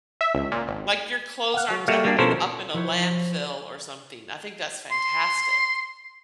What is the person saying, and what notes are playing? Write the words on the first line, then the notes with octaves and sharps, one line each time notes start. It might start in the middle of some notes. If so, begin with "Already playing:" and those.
Like, your clothes aren't ending in up in a landfill, or something. I think that's fantastic.
E5
C#2
A#2
G#1
F5 F#5
F#3
G3 A3 A#3 F#4 F5
G3 A#3 D4
B2 F3 C#4 A4 A#4 C5
F3 E4 F#4 C5 C#5
C6